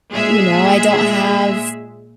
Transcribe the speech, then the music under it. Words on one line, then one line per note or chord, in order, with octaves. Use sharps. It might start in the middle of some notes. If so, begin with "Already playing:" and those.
you know, I don't have
A#2 G#3 G#4 E5